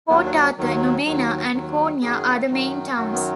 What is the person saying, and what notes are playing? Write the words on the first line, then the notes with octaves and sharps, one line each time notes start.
Port Arthur, Nubeena and Koonya are the main towns.
D#2 D#3 F#3 B3
D4
D#2 D#3 F#3
D#2 D#3 F#3
D#2 D#3 F#3
F#2 D#3 F#3 G#4
F#2 D#3 F#3
F#2 D#3 F#3 F#4
B3